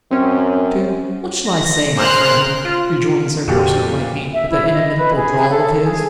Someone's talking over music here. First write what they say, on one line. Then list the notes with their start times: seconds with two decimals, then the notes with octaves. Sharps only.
"To--What shall I say, my friend?" rejoined Sir Percy Blakeney, with that inimitable drawl of his.
0.11 F#2 C4 C#4
1.46 A#6
1.98 G#4 A#4 C5 C6 F6 F#6
2.65 F4
3.48 F2 A#2 F#4 G4
4.33 E5
4.50 E4
4.73 D#5
4.97 B4
5.15 G#4
5.49 A4
5.82 G#4